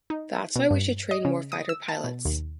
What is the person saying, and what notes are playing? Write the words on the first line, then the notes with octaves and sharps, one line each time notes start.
That’s why we should train more fighter pilots.
D#4
B2
G2
D#5
C#3
D#6
E6
A5
B2
D#2